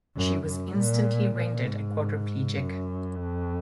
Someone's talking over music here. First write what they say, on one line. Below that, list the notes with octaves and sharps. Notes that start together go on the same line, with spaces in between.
She was instantly rendered a quadriplegic.
F#2
F#2
A#2
A#2
G#2
F#2
F2